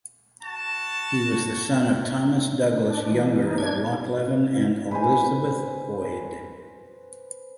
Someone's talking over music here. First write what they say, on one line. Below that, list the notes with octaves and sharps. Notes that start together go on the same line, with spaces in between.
He was the son of Thomas Douglas younger of Lochleven and Elizabeth Boyd.
F#4 A5
D4
E3
D#4
D4 G#6
B4 C5 G#5